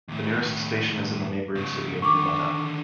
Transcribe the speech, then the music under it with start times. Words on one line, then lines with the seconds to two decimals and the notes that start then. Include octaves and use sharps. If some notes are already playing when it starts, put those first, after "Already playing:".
The nearest station is in the neighboring city of Numata.
0.08 D#2 A2
1.55 G#2 C#3
2.02 D3 D#3 C#6 D6